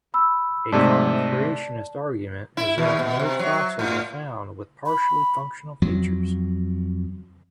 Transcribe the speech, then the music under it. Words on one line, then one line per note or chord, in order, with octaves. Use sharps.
A common creationist argument is that no fossils are found with partially functional features.
B5 E6
G#2 C3 A3 D5 A5
E4
D#2
B2
C3
F#3
A2
B5
F2 F#3